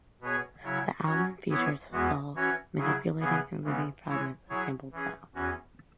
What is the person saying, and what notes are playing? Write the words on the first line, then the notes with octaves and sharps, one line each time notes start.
The album features Hassell manipulating and looping fragments of sampled sound.
B2 B3 G#4 C#5
C#3 F#3 E4 C#5
F#3 C#4 F#4 C#5
E3 B3 E4 C#5
E2 E3 G#3 B3 F#4
E3 C#4 F#4 C#5
C#3 F#3 E4 G#4
C#3 E3 B3 G#4
C#3 E3 G#3 B3
E3 G#3 E4 C#5
F#3 E4 G#4 C#5
E3 C#4 G#4
E2 E3 C#4 F#4